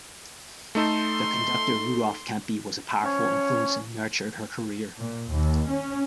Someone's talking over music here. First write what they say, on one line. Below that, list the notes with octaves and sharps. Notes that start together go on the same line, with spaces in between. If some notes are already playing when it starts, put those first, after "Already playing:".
The conductor Rudolf Kempe was a powerful influence and nurtured her career.
A3 D#4 A4 C6
F3 C#4 C#5
A#2
D#2
C#4